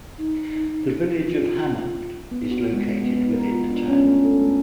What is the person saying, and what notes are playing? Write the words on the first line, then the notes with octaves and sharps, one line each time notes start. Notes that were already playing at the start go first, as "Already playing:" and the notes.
The Village of Hammond is located within the town.
D#4
F4
B3
F#4
G#3
B3
A#4
F4
D4
C#4
A3
A4
A3